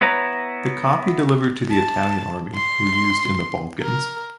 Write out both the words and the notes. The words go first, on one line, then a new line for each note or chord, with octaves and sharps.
The copy delivered to the Italian army were used in the Balkans.
B3 E4 B4 C#5 A#5
A5
C6
A#4